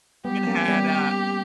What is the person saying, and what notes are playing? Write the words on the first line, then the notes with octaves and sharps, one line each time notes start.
even had a
G3 B3 G4
A#3 C#4
G3 B3